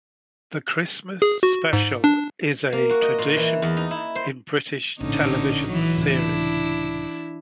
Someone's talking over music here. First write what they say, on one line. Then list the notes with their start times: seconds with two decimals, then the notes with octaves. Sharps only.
The Christmas special is a tradition in British television series.
1.22 G#4
1.43 F#4
1.73 G#2
2.04 D4
2.73 A#3
2.90 F#4
3.02 D#5
3.18 A#2
3.37 E3
3.62 E2
3.77 D#4
3.91 E4
4.15 C5
5.01 A#1 A2 D3 C#4 D#4
5.68 E3 F#3
5.97 C#2 A2 C3 D4 E4